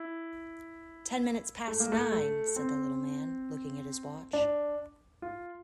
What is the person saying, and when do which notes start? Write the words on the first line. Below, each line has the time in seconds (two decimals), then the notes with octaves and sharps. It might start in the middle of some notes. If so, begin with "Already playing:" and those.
Ten minutes past nine!’ said the little man, looking at his watch.
Already playing: E4
1.68 A3
1.80 A#3
1.92 A3
2.12 A3
2.56 C4
4.33 D4
5.22 F4